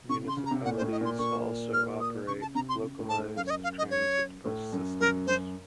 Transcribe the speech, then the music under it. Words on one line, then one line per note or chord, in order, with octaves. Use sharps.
Municipalities also operate localized transit bus systems.
C3 C#6
C#3
C6
C#3
A#5
C3
A#2 F#5
C5
A2
D#5
A#2 C6
A#2 C#6
F6
D#6
C#3 C#6
A5
C3 A#5
C6
C#3
A2
A5
A2
F#2 F5
C#5
D#5
F5
D#5
C#5
A2
F#2
F#2 A#4
F#2 C5